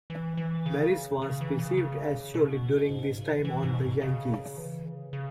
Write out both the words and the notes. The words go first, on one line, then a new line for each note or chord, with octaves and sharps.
Maris was perceived as surly during his time on the Yankees.
E3
E3
C#3
C#3
E3
C#3
C#3
B2
G#2
B2
C#3
E3
E3
G#2
B2
C#3
E3
C#3
C#3